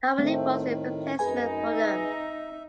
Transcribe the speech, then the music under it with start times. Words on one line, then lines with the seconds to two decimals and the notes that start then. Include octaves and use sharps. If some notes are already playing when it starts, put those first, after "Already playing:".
Tommy Lee was the replacement for them.
0.18 A2 D#3 A3 C4
1.19 F#2 D#4 G#4 B4 G#5
1.73 E5